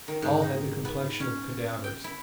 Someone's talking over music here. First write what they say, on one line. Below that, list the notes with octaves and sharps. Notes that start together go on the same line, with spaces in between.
All had the complexion of cadavers.
D#3
G#2
D#4
B3
C#4
G5
E4